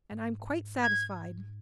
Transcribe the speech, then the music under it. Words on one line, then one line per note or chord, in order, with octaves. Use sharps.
And I'm quite satisfied.
G#2
G#6